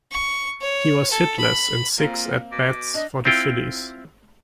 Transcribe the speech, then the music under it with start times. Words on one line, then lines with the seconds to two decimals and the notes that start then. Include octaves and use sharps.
He was hitless in six at-bats for the Phillies.
0.11 C#6
0.61 C#5
1.11 A4
1.39 B5
1.98 A#2 A#3 C4 A#5
2.52 B2 D6
2.94 D4 D#5
3.25 C4 E4 F4 G5